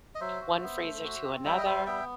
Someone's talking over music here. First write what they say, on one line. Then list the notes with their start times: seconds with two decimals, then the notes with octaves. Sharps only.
one freezer to another?
0.15 D#5
0.20 F#3 C5 E5
0.41 F#4
0.63 B3
0.82 A3
1.04 F#4
1.24 C4
1.45 G3 E5 G5
1.57 D#5
1.65 G3 C5 E5
1.86 B3 E5 G5